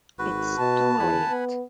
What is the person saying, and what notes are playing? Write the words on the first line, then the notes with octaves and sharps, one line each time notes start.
It is too late.
G#1 F#4 B4
B2 A5
E2 F#5 G#5 B5
B3